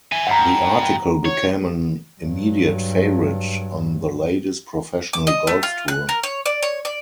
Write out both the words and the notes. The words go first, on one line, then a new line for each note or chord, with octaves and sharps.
The article became an immediate favorite on the Ladies Professional Golf Tour.
E5 G#5
G2 F#5 A#5
C#5
G2 F#3
D6
D#5
A3
F4
F#6
A#4
C#5
D5
C#5
D5